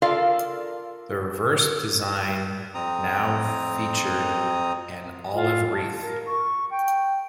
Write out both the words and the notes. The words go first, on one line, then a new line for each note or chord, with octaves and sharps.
The reverse design now featured an olive wreath.
F4 A4 A#4 D5 F5
F2 C4 A#5 D#6
F4
A5
A#4
C#6
G5